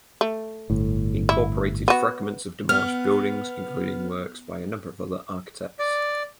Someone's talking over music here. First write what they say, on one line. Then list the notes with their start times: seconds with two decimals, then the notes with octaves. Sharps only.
He incorporated fragments of demolished buildings, including works by a number of other architects.
0.21 A3
0.70 G1 A2
1.29 E4
1.88 B3 F#4
2.69 B3 F6
5.79 D5